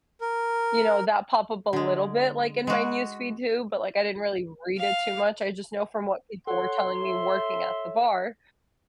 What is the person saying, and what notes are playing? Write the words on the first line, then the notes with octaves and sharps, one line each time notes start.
you know, that pop up a little bit, like, in my newsfeed too, but, like, I didn't really read it too much, I just know from what people were telling me working at the bar.
A#4
D3 G#3
G#3 F#4
F5
A4 C#5 F#5 C6
E5